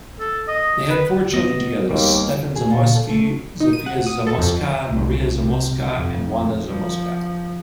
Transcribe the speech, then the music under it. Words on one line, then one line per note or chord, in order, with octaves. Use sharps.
They had four children together: Stefan Zamoyski, Zofia Zamoyska, Maria Zamoyska and Wanda Zamoyska.
A4
D#5
B4
B3 D#5
D#2 G3 A#3
G#4
A#2
A4
A3
D#4
D#7
F#5
D#6
A4
F2
C2
C3
F2
F3